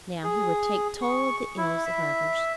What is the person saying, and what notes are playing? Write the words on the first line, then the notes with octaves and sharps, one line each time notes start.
Now he would take toll of the ills of others.
G#4
C#6
E4
E5